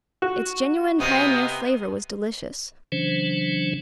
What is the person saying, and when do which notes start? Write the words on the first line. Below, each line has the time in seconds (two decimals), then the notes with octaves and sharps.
Its genuine pioneer-flavor was delicious.
0.22 F#4
1.00 C3 B3 D#5 F5 D#6
2.92 C#3 E3 F#3 C#4 D4 C5